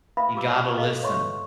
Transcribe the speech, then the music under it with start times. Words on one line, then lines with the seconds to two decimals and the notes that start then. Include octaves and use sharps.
You gotta listen.
0.17 B4 E5 F5 B5 D#6
0.35 F4 G4 D6 E6
0.77 A4 D#5 F5
1.03 B4 C#5 E5 C6 C#6